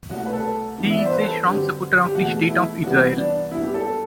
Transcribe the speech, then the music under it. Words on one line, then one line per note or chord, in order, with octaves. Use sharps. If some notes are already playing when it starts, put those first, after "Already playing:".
He is a strong supporter of the state of Israel.
C2 B2 A3 F#4
B4
A4
G2 E3 B3
E5
D5
C5
B4
A4
G2 D3 F#3 C4 G4
G4
E2 B2 F#3 A3 F#4
E4
C2 C3 E3 G3 B3 F#4
D4
G2 F#3 B3 E4
G4
A4